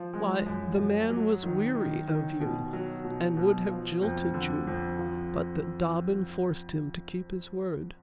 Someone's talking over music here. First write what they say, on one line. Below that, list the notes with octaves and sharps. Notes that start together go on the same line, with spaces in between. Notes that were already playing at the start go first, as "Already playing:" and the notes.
Why, the man was weary of you, and would have jilted you, but that Dobbin forced him to keep his word.
Already playing: F3
G#3
F#2
F#2
F#3
D#3
D#3
D#3
B2
F#3
B2
B2
F3
F2
D3
F2
F3